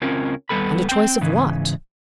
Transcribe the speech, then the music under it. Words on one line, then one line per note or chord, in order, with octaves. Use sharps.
And a choice of what?
C#2 C4 C#4 F4 A#4
D#2 C#3 G3 B3 A4 B5
C4 G5
G#2 C#3 E3